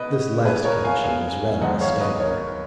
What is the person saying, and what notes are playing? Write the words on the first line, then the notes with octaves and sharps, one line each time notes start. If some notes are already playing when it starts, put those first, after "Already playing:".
This last condition was rather a staggerer.
Already playing: B2 B4 D#5
G#4 B4
A#4 C#5
F5 G#5
F5 G#5
F#2 D#3 G#3 D#5 F#5
C#5 F5
B4 D#5
A#4 C#5